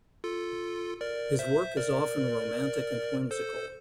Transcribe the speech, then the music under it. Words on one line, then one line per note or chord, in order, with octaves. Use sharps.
His work is often romantic and whimsical.
F4 A4
A#4 D5
C5 E5
A#4 D5
A4 C5